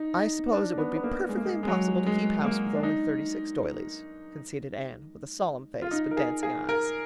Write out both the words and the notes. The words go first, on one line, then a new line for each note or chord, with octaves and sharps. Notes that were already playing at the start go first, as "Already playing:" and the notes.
"I suppose it would be perfectly impossible to keep house with only thirty-six doilies," conceded Anne, with a solemn face but dancing eyes.
Already playing: D#4
D#4
D4
B3
B3
A#3
G#3
A#3
G#3
G#3
F#3
G#3
A#3
D4
D#4
F4
D#4
A#4
G#4
G#4
A#4